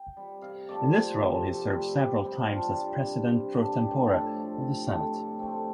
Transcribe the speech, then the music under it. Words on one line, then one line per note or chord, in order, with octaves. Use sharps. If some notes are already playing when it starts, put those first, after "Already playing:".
In this role he served several times as President pro tempore of the Senate.
Already playing: G5
G3 C4
C3 F5
F3 A3 C4 D5
C3 C5
F3 A3 C4
C3
G3 C4
C3 G4
G3 C4
F4
C3 D4
G3 C4
C3
G3 C4
A2 D4
G4
F3 A3
C5
A2 A4
F3 A3
C3
A3 C4
C3
A3 C4